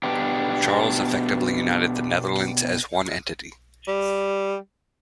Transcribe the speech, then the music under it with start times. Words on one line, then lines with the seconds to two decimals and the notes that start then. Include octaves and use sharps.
Charles effectively united the Netherlands as one entity.
0.03 B2 B3 D4 G4
3.88 G3